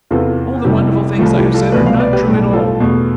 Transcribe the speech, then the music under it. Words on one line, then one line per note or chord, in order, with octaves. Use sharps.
All the wonderful things I have said are not true at all.
E2 C3 E3 F4 A4
F1 F2 C3 G3 E4 G4
E4
C2 C3 F3 A3 F4
E4 G4
F4 A4
C2 B2 A3 B4 D5
D5 F5
B4 D5
G4 B4
B1 A2 G3
F4 A4
E2 B2 A3